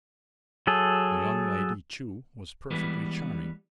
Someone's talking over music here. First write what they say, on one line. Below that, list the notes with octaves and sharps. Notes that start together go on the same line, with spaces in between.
The young lady, too, was perfectly charming.
F#3 G#4 A4
E3 G3 G#3 B3